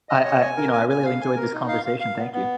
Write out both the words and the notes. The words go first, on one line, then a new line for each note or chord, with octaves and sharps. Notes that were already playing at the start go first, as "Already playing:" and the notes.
I I, you know, I really enjoyed this conversation, thank you.
D#5
C#5
G#5
A#4
G#5
G#5
F5
G#5
A#4
D#4
F5
F5
F5
B3
B3